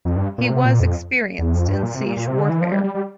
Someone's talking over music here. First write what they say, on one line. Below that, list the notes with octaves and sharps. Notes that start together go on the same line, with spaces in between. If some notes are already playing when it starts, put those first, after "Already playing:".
He was experienced in siege warfare.
F2
G2
A#2
C3
A#2
F2
E2
F2
G2
A#2
C3
A#2
A#2
C3
D3
E3
F3
G3
G3
G3